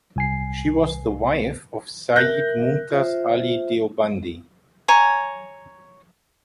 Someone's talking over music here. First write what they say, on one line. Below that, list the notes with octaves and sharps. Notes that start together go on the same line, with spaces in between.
She was the wife of Sayyid Mumtaz Ali Deobandi.
C2 G#5 C7
A#4 E5 F#6 G6 A#6
F4 C5 E5
C#5 G#5 A#5